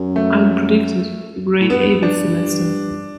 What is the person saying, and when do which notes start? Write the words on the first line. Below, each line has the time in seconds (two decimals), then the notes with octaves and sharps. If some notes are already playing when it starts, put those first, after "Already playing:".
I'm predicted a grade A this semester.
Already playing: F#2
0.16 A3
1.60 A2
1.69 G2 B3
2.03 D4